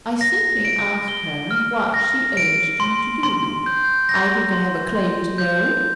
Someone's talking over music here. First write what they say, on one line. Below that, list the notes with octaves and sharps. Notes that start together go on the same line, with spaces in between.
'I simply asked her what she urged you to do--I think I have a claim to know.
A#6
D7
G7
F6
A#6
D7
C6
C6
G6
A#6
C6
C6
G6